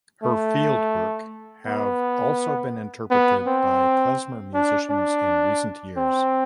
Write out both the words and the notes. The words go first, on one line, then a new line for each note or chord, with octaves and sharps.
Her field work have also been interpreted by klezmer musicians in recent years.
A3
B3
B3
C4
D4
D4
C4